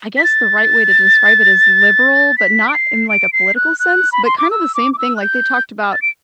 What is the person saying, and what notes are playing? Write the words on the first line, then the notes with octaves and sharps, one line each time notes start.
I guess the right way to describe it is liberal, but not in like a political sense, but kinda the same thing like they talked about
B6
A6
B6
D7
C7
D7
C7
F#6
F#6
B5
C6
D6
E6
D6
D6
E6
F#6
G6
A6
D7